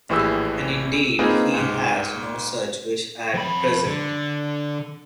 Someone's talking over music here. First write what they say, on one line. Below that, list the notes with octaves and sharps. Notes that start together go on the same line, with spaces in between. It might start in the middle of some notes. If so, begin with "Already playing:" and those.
And indeed he has no such wish at present.
A#1 A2 E3 G4 G#4 E6
A#3 C4 D#4 F4 G#4 B4
C#2 G#2
F2 B5
D3